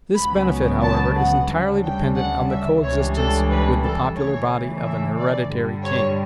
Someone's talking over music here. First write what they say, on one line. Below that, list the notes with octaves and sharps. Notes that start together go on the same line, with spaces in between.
This benefit, however, is entirely dependent on the coexistence with the popular body of an hereditary king.
C#2 C#3 F#3 B3 B5
A5
F#5
D2 C#3 G3 D4
G5
F#5
E5
C#2 C#3 E3 G3 D4 C#5
A4
B4
A4
C#3 E3 A3 C#5
E5
D5
G2 D3 G3
C#5